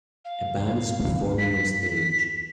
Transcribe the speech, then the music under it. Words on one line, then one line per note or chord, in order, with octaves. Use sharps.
A band is performing on stage.
F5
B6